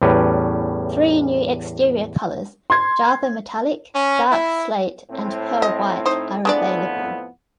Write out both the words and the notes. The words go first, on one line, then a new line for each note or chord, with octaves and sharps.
Three new exterior colors, Java Metallic, Dark Slate, and Pearl White are available.
E2 A2 G3 C#4 A#4 B4
C6 G#6
C#4
E4
A2 C4
D#5
D#4 C5
F2 A2 G#3 B3 D4 D5